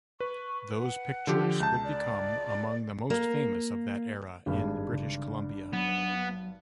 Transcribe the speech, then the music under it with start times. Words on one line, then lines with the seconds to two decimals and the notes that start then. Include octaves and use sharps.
Those pictures would become among the most famous of that era in British Columbia.
0.20 B4 C#6
0.80 F#5
1.27 D3 F3 G4
1.60 C#2 A5 G6
1.84 D5
3.10 A#3
4.46 G#1 G2 D4 D#4 G4 G#4
4.93 C#3 D4
5.73 F#3 B3